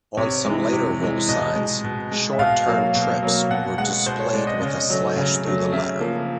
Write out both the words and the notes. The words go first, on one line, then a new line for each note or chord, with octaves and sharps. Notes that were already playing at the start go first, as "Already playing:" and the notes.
On some later rollsigns, short-turn trips were displayed with a slash through the letter.
C3 C#5
E3 G#3
C3
E3 G#3
B2 D#5
G#3
B2
G#3
E5
B2 F5
F#3 A#3
B2
F#3 A#3
B2 F#5
G#3 F#5
B2 C5
C#5
G#3 D5
D#5
C#3 D#5
F#3 A3
C#3
F#3 A3
C#3 E5
F3 A#3